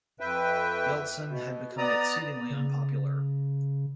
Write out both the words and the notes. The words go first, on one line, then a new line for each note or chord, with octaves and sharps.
Yeltsin had become exceedingly unpopular.
F2 B4 E5 G5
B2
B3 D5 A#5 D#6
C#3